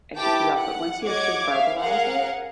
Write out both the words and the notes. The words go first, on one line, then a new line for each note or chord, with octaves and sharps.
I should keep it up, but once you actually verbalize it,
E4 G4 B4 G5 A5 D6
F#5
C#5 D#5 F#5 D6 G#6
E5 F5
G#4 A#4 F5 F#5